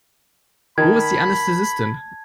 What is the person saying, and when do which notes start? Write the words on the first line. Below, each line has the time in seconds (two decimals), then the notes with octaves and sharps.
Wo ist die Anästhesistin?
0.78 D#3 A5 B5 G#6